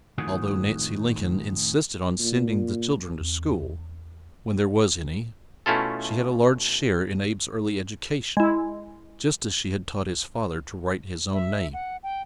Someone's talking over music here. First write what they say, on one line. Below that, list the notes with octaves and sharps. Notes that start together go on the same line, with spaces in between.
Although Nancy Lincoln insisted on sending the children to school, when there was any, she had a large share in Abe's early education, just as she had taught his father to write his own name.
F2 A2 D#3 F3 F#4 G#4
A#2
E2 C4
B2 A3 C#4 E4 F4 A4
G#3 E4
E5
F#5
G5